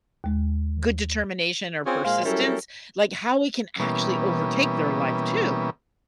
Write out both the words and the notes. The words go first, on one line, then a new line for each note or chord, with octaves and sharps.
good determination or persistence, like how it can actually overtake their life too.
D#2 G#3
C4 C#4 F4 G#4
A#2 G#3 C5 F5
F#3 G3 C#4 E4 A4 A#4
B2 E3 G3 A#3 B3 C#4